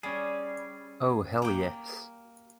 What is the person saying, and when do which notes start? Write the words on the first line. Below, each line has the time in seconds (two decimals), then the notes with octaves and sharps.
Oh hell yes.
0.03 G3 C#4 G#4
1.42 A#3 G5